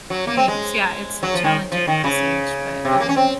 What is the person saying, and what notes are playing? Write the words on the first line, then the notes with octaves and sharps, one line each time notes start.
Thanks, yeah, it's challenging at this age, but, um,
F#3
A#3
C4
G#3
F#3
F3
D#3
F3
D#3
C#3
C3
C#3
A#3
C#4
C4